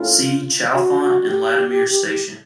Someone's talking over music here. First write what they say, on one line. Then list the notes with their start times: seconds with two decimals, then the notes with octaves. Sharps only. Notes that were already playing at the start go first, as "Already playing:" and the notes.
See Chalfont and Latimer station.
Already playing: A#2 A3 C#4 E4 F4
0.74 F#4
1.00 F#4
1.22 F#4
1.27 G4